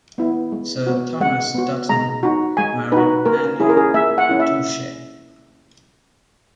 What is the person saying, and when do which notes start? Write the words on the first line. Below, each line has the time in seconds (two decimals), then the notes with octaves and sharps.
Sir Thomas Dutton married Anne Touchet.
0.18 B3 E4
0.52 G#3
0.87 B3 F#4
1.20 G#3 F#5
1.55 B3 F#4
1.89 G#3 A#5
2.23 D#4 F#4
2.57 G#3 G#5
2.92 D#4 F#4 B4
3.25 A#3 A#4
3.60 C#4 E4 G#4
3.69 A#4
3.77 G#4
3.94 A#3 E5
4.18 F#5
4.29 C#4 E4
4.40 E5